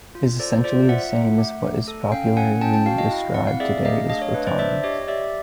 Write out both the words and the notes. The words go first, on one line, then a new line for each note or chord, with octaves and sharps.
It is essentially the same as what is popularly described today as photonics.
F4
A4 C5 D5
F4 C5 D5
F4 E5 F#5
A3
A3
A3
A4
C#4 F5 G5
C#4 F#5 G#5
C#4 G5 A5
G5 A5
F#4 F5 G5
D#5 F5
E4
C4 F#5
F5
G#4 D5 E5
A3 D#5 F5
D4 D#5 F5
C#5 D#5
D4 B4
C5 D5
D4 D5 E5
G4 C#5 D#5
G4 D5 E5